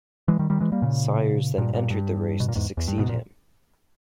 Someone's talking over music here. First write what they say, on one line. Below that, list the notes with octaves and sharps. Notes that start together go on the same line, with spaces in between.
Sires then entered the race to succeed him.
E3 G#3
D#3 G3
D#3 G3
E3 G#3
G3 A#3
A#2 C#3
G2 A#2
G2 A#2
G2
B2
A#2
E2 G#2
E2
G2
G#2 B2
A#2